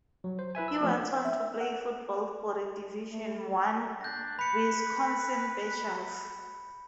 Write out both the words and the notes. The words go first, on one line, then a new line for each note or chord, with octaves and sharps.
He went on to play football for the division one Wisconsin Badgers.
F#3
C5
E4 B4 E5 G#5
E6
F3 A3 C4
E5
F#5
A3
D4 G6 A#6
B4 B5 C#7